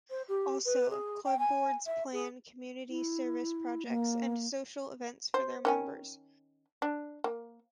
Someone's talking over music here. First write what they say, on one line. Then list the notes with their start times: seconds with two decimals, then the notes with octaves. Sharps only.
Also, Club Boards plan community service projects and social events for their members.
0.10 C5
0.28 G4
0.65 B4
0.90 G#4
1.25 G5
1.39 G#5
1.86 E5
2.13 G#4
2.89 E4
3.86 A#3
5.34 C5
5.65 D#3 C#4 G#5
6.82 D4
7.24 A#3